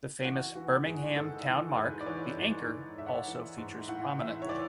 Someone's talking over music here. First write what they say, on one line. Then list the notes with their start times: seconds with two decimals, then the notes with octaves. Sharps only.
The famous Birmingham town mark, the anchor, also features prominently.
0.25 E3 F#4
0.55 E3 F#4
0.85 G#2 G#4
1.16 G#2 A4
1.47 E3
1.76 G#2 B4
2.01 D5
2.06 E3 C#5
2.37 G#2
2.67 G#2
2.98 G#2 E5
3.06 F#5
3.13 E5
3.28 E3
3.58 G#2
3.88 A2 F#5
4.19 E3 E5
4.42 C#5
4.48 E3 D5